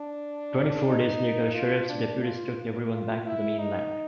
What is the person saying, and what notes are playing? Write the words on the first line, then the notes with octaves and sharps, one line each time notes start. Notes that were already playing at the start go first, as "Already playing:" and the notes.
Twenty-four days later, sheriff's deputies took everyone back to the mainland.
Already playing: D4
D#4
F4
D4
F4
F4
E4
D#4